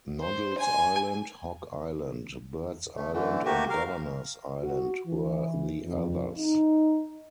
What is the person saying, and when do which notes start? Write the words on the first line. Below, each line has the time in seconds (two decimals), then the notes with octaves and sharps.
Noddle's Island, Hog Island, Bird's Island and Governor's Island were the others.
0.20 C5
0.58 G#5
2.96 A3
3.13 D3 E3 A3
3.45 A3 A#3 F#4 G4
3.70 A#4 F5
4.63 F#4
5.06 E3
5.84 F2
6.38 D#4